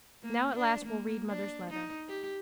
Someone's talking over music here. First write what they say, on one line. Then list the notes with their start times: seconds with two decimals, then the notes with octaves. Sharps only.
Now at last we'll read mother's letter.
0.23 A#3
0.56 D4
0.86 A#3
1.29 D4
1.71 D#4
2.09 G4